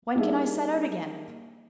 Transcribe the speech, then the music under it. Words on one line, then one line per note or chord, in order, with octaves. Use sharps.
"When can I set out again?"
G3 A#3 D4 D#4 G#4 E5